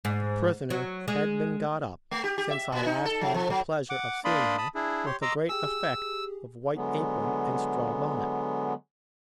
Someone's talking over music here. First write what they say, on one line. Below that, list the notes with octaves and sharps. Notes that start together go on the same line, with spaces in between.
The prisoner had been got up, since I last had the pleasure of seeing her, with a great effect of white apron and straw bonnet.
G#2
F#3
G#3
A3
G4
G4
E5
A#2
D#4
A4
F#3
F3
F#3
F#5 D6
A#3 D4 D5 B5 C6 D#6
A5 B5 D#6
D4 E4 G#4
G4 C#5 C6
D#5 A#5 C6 D6 E6
G4 G#4 E6
D3 F#3 G#3 B3